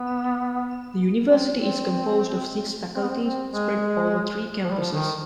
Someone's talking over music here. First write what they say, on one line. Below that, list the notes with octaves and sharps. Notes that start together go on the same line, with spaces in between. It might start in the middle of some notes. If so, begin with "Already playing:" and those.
The university is composed of six faculties, spread over three campuses.
Already playing: B3
C4
C4
C4
B3
C4
C4
G#3
F3
G3
F3
D#3